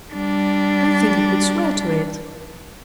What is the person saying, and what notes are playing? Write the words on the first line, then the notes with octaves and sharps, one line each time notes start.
"I think I could swear to it."
G3 D4